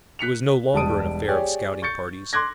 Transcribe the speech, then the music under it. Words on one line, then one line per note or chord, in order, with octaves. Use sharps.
It was no longer an affair of scouting parties.
F#6 B6 C#7 F7
E1 G3 A5 D#6 D7 D#7
G4 G#4 C#5 D5
C#6 G6 A6 C#7
C6 D6 F#6 G#6 A#6